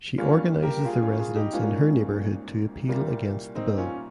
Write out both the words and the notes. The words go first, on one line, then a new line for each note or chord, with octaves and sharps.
She organizes the residents in her neighbourhood to appeal against the bill.
G2 G3 A#3 C#4 F4
G4 A#4
F4 G#4
C#4 F4
F4 G#4
D#4 G4
G#1 G#2 G3 A#3 C#4 F4
C2 A#2 G3 A#3
C4 D#4
C#4 F4